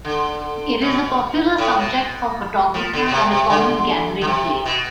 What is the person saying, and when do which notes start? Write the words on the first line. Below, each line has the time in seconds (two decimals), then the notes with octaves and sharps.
It is a popular subject for photographers and a common gathering place.
0.05 D3
0.82 B2
1.58 A2
1.78 B2
2.74 F3
2.93 D3
3.06 B2
3.12 C3
3.31 C3
3.50 D3
4.21 D3
4.27 C3
4.66 B2